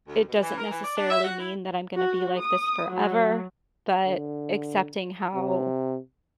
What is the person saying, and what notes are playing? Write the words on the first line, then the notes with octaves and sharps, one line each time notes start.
it doesn't necessarily mean that I'm gonna be like this forever, but accepting how
D2
B2
E3
A#4
E3
D5
D4
E5
F#4
E4
F#4
D#6
F#3
D3
C3